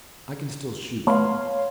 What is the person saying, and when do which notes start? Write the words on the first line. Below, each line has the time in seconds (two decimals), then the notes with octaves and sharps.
I can still shoot.
1.07 A3 B3 C#5 F5 C6